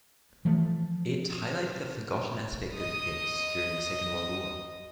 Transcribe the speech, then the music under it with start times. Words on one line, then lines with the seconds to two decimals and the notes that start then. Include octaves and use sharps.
It highlighted a forgotten aspect of defence during the Second World War.
0.45 E3 F3 A3
2.75 D#5 D#6